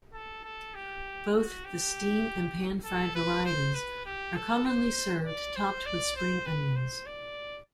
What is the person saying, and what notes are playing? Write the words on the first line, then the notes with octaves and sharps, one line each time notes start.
Both the steamed and pan-fried varieties are commonly served topped with spring onions.
A4
A4
G4
F#4
G4
A4
B4
C5
B4
G4
A4
C5
D5
C5
D5
C5
B4
C5
D5